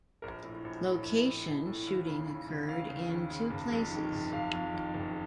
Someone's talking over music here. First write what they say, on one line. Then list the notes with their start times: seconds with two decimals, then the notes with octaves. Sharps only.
Location shooting occurred in two places.
0.22 A#1 A#4
0.43 A2
0.64 A#1
0.84 A2
1.05 A#1
1.25 A2
1.46 A#1
1.66 A2
1.87 D#2
2.07 C#3
2.27 D#2
2.48 C#3
2.68 D#2 F5
2.89 C#3
3.09 D#2
3.30 C#3
3.51 F#1
3.72 F2
3.91 D#3
4.12 F#1
4.32 F#1 F5
4.53 F2
4.74 D#3
4.94 F#1